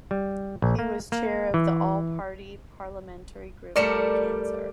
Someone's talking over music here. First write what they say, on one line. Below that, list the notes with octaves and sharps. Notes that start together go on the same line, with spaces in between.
He was chair of the All Party Parliamentary Group on Cancer.
G3
A#1
A#3
A#3
E3
G3 A3 A#4 D5 C#7 E7